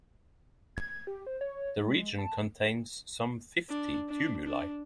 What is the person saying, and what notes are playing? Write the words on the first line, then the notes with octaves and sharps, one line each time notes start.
The region contains some fifty tumuli.
G#6
G4
C5
C#5
G#3
A5
D4
D4
D4